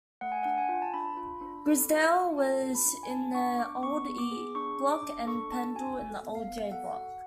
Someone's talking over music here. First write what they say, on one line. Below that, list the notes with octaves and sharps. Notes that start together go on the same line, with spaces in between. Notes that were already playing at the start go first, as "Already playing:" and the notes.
Grizedale was in the old 'E' Block and Pendle in the old 'J' block.
A3 F#5
G#5
D4 F#5
G#5
F4
A5
D4 B5
F4
D4
A4
F4
F4
A4 A5
F4
B5
D4
G#5
B3 A5
D4 C#6
D4 D6
B3 C#6
B3
D6
G#4
D4 C#6
D4
D6
D4
A4 C#6
D4 A5
F#4 G#5
A4
B3
F5
B3
A4 F#5
F#4